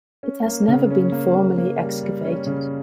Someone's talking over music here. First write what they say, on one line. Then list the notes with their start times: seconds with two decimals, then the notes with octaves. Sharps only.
It has never been formally excavated.
0.23 C#4
0.46 A#3
0.68 C#3
0.91 C#4
1.12 A#3
1.35 A#3
1.58 A#3
1.79 G3
2.03 G3
2.25 C#4
2.47 C#3